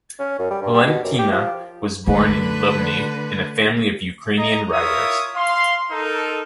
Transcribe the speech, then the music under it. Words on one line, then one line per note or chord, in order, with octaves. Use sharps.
Valentyna was born in Lubny in family of Ukrainian writers.
C#4
F#2
G3
G2
G3
B2
F#2
G4
F3
D3 A3 B4
D#5 A#5
E4 F4 A#4 C#5 E5 D#6
F5 C6
D#4 A4 A#4